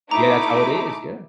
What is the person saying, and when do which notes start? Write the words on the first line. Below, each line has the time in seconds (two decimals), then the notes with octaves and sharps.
Yeah, that's how it is. Yeah.
0.11 A3 D#4 E4 A#5 D6